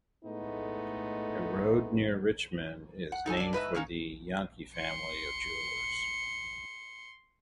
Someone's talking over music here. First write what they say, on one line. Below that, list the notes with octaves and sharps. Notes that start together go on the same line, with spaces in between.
A road near Richmond is named for the Jahnke family of jewelers.
A2 G#3 A3 B3 D#4
F#5
D#4 A4 C#5 G#5
D4 D5
G#2 B4 D#5 E5
D#3 A#3 C#4 D#4
C6 C#7